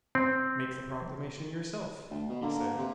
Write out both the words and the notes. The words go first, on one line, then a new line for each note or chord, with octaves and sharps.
Make the proclamation yourself, he said.
C4
D2
B2
D3 A#3
C3